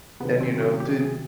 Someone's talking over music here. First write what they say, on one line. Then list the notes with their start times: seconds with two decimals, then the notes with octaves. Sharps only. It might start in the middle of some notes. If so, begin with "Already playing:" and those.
and, you know, the eh,
0.20 C3 B3
0.23 D#3 F#3
0.41 C4
0.61 C#4
0.80 G4
1.00 G#4